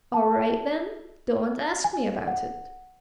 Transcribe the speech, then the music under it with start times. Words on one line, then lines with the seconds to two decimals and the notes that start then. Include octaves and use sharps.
"All right, then; don't ask me about it."
0.14 A5
1.84 G#5
2.27 F#5